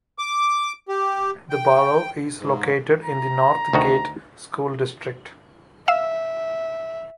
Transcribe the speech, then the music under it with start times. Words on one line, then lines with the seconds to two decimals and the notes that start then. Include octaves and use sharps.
The borough is located in the Northgate School District.
0.18 D6
0.88 G4
1.50 G5
2.38 G#2
3.04 A#5
3.73 D2 D#3 F#4
5.88 E5 F5 E6